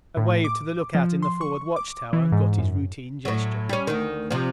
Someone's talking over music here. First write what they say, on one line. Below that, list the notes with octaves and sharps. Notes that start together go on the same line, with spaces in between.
I waved to the lookout in the forward watch tower, and got his routine gesture.
A2
D6
F3
C6
C#6
D6
E3
G#2
F#2
A2 F#3
G3 C#4
D2 D#3
C3 F3